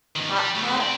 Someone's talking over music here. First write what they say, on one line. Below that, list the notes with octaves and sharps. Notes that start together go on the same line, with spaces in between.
Hot pot?
B2 D#3
G3
C#3 A3
C4 D5